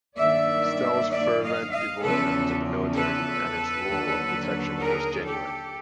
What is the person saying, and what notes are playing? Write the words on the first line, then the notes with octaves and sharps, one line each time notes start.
Stelle's fervent devotion to the military and its role of protection, was genuine.
G2 D#3 F#3 A#3 D5 E5
D5 E5
D#5 F5
D#5 F5
E2 C#3 F3 A4 B4
A4 B4
D#2 D3 F#3
G#4 A#4
G4 A4